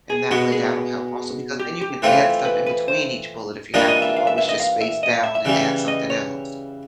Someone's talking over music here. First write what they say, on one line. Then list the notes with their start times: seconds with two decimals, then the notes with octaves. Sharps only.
And that way, that'll help also because then you can add stuff in between each bullet if you have to always just space down and add something else.
0.10 G#4
0.31 B2 G#3 B3 F#4
0.52 G#4
1.60 G4
1.81 G4
2.02 E3 A3 C4 F4
2.45 B4
2.66 B4
2.88 C5
3.74 E3 G3 A#3 D4 F4 D#5
3.88 D#5
4.02 E5
4.17 F5
4.27 E5
4.38 E5
4.49 D#5
4.60 F5
4.81 E5
5.03 D#5
5.13 F5
5.24 E5
5.35 E5
5.45 C#3 E3 G3
5.88 D#5
6.10 C#5